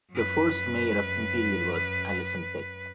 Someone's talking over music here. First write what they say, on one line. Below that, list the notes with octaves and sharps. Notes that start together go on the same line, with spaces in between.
The first Mayor of Imperial was Allison Peck.
F#2 B4